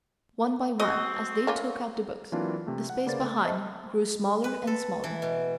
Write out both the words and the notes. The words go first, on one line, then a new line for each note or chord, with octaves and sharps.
One by one, as they took out the books, the space behind grew smaller and smaller.
C4 F#4 D#5
A#3 C#4 F4
E3 F#3 A#3 C4 D4 F4
C3 A3
F#5
C#3 A#3 B4 C5 D5 A6
A3
C5 D#5 E5 A5
B4
A4
E3
B2